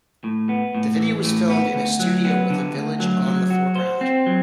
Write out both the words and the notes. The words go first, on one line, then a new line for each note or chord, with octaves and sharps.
The video was filmed in a studio with a village on the foreground.
A2
B3
A2
E3
A2
B3
D2
F#3
B3
D3
D2
F#3
F#3
F#4
C5
C4
F#3